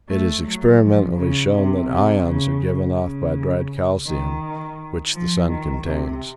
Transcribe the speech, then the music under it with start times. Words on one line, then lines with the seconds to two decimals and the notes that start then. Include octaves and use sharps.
It is experimentally shown that ions are given off by dried calcium, which the sun contains.
0.09 A3
0.45 F#3
0.81 F3
1.17 C#3
1.53 C3
1.89 C3
2.25 C#3
2.97 C#3
4.06 D#3
5.14 F3
5.49 D#3
5.86 C3